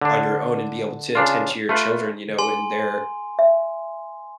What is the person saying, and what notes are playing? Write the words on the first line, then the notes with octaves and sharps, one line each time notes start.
on your own and be able to attend to your children, you know, in their
D3 D4
C#3 D4 F4
A3 F4 B4
G#4 G#5 C6
E5